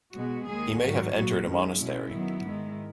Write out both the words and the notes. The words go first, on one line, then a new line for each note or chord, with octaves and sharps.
He may have entered a monastery.
B2 G#3 B3 F#4
D#2 D#3 G#3 G#4
G#2 D#3 F#3 F#4
A#2 F#3 B3 F#4
F#2 D#3 G#3 C#4
B2 G#3 C#4 E4
F#2 D#3 F#3 B3
G#2 D#3 G#3